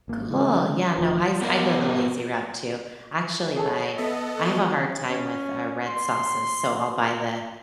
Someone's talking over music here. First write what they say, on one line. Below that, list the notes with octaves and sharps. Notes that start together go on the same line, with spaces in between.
Cool. Yeah, no, I s I go the lazy route too. I actually buy I have a hard time with, uh, red sauces, so I'll buy the
G#1 A#3
C#3 E3 G#3
E1 D2 F3
B3 G4 A#4 D#5 F5
G#4 A4 C#5
B3 A4 D#5 E5
F#4
C#4
C6